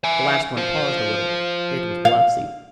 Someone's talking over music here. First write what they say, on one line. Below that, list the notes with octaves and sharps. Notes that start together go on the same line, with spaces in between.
The last one paused a little; it was Blasi.
E5 G#5
F4 C5
F5